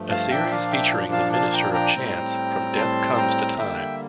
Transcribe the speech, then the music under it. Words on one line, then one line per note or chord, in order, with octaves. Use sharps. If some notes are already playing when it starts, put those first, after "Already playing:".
A series featuring the Minister of Chance from "Death Comes to Time".
Already playing: G2 F3 A3
F5 A5
A#2 F3 A#3 D4 E5 G5
D5 F5
E5 G5
F5 A5
F5 A5
G5 A#5
G5 A#5
A2 G3 C4
A5 C6
G5 A#5
D3 G3 A#3 E5 G5